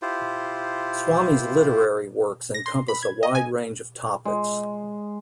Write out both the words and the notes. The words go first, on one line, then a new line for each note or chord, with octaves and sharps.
Swamy's literary works encompass a wide range of topics.
E4 F4 G4 C5
A#6
C6
B5
G#6
D#5
G#5
G#3